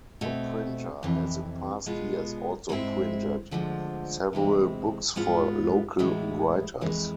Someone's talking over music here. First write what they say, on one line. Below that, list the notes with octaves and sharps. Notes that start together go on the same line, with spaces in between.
The printer has in past years also printed several books for local writers.
B2 A3 C4
F2 C3 E3
B2 G#3 B3 F4
G#2 G#3 C4 E4
D2 D3 F3 G#3
C3 E3 G#3 C4
G#2 G#3 B3 F4
A2 E3 G#3 B3
F2 E3 G#3